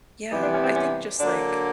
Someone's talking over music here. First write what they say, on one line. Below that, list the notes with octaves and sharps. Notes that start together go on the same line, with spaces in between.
Yeah, I think just like
C3 E3 G3 B3 D#4
D4
C#4
C4
C#4
D3 F#3 A#3 D4